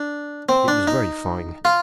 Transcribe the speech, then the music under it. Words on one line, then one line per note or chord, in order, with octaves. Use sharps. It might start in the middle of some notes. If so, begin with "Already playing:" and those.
It was very fine!
Already playing: D4
C4
D4
D#4
F4